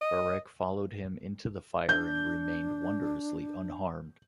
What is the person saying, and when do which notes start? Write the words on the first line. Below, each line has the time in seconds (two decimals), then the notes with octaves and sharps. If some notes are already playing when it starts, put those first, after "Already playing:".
Barek followed him into the fire and remained wondrously unharmed.
0.01 D#5
1.89 D4 G6